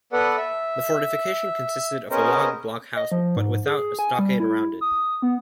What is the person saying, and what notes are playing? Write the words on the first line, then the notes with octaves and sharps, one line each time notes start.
The fortification consisted of a log blockhouse but without a stockade around it.
B3 A4 B4 D5 F#5
E5
B3 C#4 G#4 A#4 C5 D#5
D#5
F3
G#2
G#4
G#5
G3
E4
D#6
B3